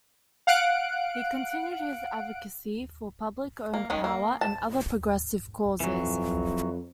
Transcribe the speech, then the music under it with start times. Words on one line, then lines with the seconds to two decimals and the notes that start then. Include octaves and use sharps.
He continued his advocacy for public owned power, and other progressive causes.
0.47 F5 F#5 F#6 D7
3.74 A#3
3.90 D#3 G#3 C#4
4.04 A#3
4.41 A5
5.80 F2 E3 F#3